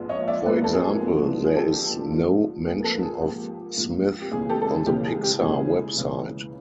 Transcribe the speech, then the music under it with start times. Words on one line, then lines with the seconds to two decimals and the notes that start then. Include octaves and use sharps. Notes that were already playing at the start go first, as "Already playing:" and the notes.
For example, there is no mention of Smith on the Pixar website.
Already playing: A#1 G#2 F3 G#3 B3
0.09 C#5 D#5
0.28 D5 E5
0.46 A#1 G#2 F3 G#3 B3 B4
0.55 A#4
0.64 A4
0.73 G#4 A#4
1.01 A#1 G#2 F3 G#3 B3
1.44 G#4
1.56 A#1 G#2 F3 G#3 B3 G4 A4
2.11 G#2 F3 A#3
2.66 G#2 F3 A#3 G#4 A#4
2.79 A#4
2.84 A4 B4
3.03 G#4
3.21 G#2 F3 A#3 G4
3.76 G#2 F3 A#3
4.22 G4
4.31 C#2 C#3 E3 G#4
4.49 G4 A4
4.62 A4
4.68 G#4
4.86 C#2 C#3 E3 G4
5.05 G#4
5.23 G4
5.41 C#2 C#3 E3 G#4
5.97 C#2 C#3 E3